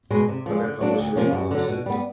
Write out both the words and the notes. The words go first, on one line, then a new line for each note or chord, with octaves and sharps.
Other publishers followed suit.
B2 G#3
C3
F3 G#3
D3
F#3 A#3 D4
D2
C3 F3 A#3 C#4
F#2
D3 F#3
B2
G3 B3